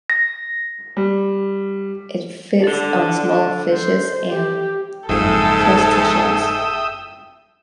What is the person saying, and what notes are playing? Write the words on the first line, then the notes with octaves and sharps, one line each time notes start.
It feeds on small fishes and crustaceans.
A#6
G3
D3 A4 D5
C5
G4
F#1 F2 G#2 A4 E5 G5 D#6